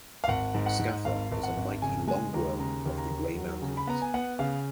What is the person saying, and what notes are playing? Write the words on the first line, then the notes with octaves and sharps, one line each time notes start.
Scatha was a mighty "long-worm" of the Grey Mountains.
F5
G#1 F#5
G#2
F#5
G#2
G#1 F5
G#1
F#5
G#1
C#3 G#5
G#3 G#5
D#2 A#5
C#3 A#5
D#2
A#5
D#2
F#3
C#3
B5
B3 A#5
G#5
B3 F#5
C#3 F5